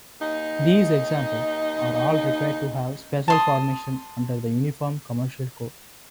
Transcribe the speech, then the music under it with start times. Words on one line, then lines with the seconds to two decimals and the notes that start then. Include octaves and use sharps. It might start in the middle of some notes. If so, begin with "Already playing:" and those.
These example are all required to have special formation under the Uniform Commercial Code.
0.21 D#2 D#4
3.28 A5 C6 D#6